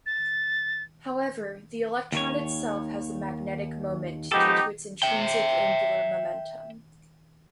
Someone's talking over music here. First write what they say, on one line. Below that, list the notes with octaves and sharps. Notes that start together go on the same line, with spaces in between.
However, the electron itself has a magnetic moment due to its intrinsic angular momentum.
A6
D#2 D#3 C#5
F3 G#3 B3 D#4 G4 A4
E5 G5